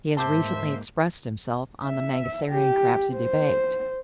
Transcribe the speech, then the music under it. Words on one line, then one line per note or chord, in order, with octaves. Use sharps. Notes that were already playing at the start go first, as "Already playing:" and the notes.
He has recently expressed himself on the Mangasarian-Crapsey Debate.
G#2 A#3 C5 E5 A5 D6 G6
E5
G4
C5